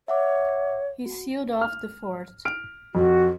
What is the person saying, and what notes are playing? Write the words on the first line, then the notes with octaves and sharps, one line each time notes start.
He sealed off the fort.
C#5 E5 F#5 D6
F#4
F6
F6 D7
F2 F#4